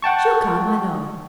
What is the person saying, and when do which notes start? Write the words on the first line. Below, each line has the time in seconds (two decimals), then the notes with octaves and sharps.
She'll come, I know.
0.02 F#5 G5 A5 C#6